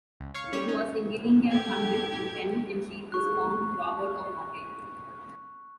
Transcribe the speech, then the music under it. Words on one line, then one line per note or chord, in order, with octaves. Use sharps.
It was in Gillingham hundred and the tenant-in-chief was Count Robert of Mortain.
C#2
C#5 F5 C#6
G3 C#4 C#5
C#4 D#4 C#5
G4 A4 G#6
C#6 F#6